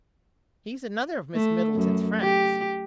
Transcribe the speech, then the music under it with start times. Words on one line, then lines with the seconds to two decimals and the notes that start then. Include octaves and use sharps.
"He's another of Miss Middleton's friends."
1.35 A3
1.75 F#2
2.20 G4